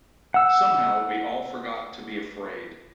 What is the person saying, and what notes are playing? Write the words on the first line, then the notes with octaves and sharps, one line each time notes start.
Somehow we all forgot to be afraid.
F#5 E6